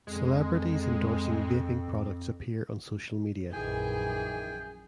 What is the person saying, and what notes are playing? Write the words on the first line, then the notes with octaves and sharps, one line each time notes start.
Celebrities endorsing vaping products appear on social media.
F2 G#3
A#1 F#2 D#3 E3 G#4 G5 G#5